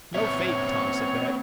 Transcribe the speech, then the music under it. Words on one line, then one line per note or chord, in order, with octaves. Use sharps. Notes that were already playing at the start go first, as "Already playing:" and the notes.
"NO FAKE," Tom sent back.
B3 C4 C#5 E5